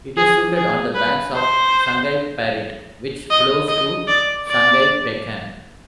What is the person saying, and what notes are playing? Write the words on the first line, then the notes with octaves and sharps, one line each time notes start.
It is situated on the banks of Sungai Parit which flows to Sungai Pekan.
G#4
G#4
B4
C5
D#5
D#5
D5
D5